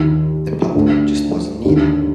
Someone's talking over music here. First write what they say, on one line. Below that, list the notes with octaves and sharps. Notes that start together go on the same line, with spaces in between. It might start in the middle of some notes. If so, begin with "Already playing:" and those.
The power just wasn't needed.
Already playing: D#2 D#3
D2 D3
D#2 D3